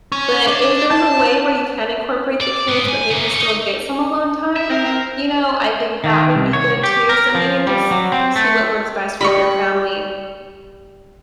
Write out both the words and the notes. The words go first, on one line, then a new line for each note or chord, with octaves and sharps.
but if there's a way where you can incorporate the kids, but maybe still get some alone time, you know, I think that would be good too. So maybe just see what works best for your family,
C#4
D4
A5
D5
G#2 B3
G#5
C#3 A#3
A#2 C#5
D#4
E5
C4 A#4
C4
D#3
C2
C#5
G4
A#4
F3
G3
F#3
C4
A3
G3 D#5 B5 C#6